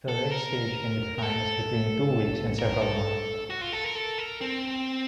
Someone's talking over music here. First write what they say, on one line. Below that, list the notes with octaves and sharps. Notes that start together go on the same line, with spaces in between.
The late stage can be defined as between two weeks and several months.
A4
A#4
A#4
A4
A#4
A4
F#4
F4
A4
A#4
A4
A#4
C4